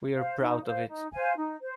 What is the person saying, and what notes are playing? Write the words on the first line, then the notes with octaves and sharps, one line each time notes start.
We're proud of it.
C5 F5
D#4
C5 F5
D#4
C5 F5 G#5
D#4
C5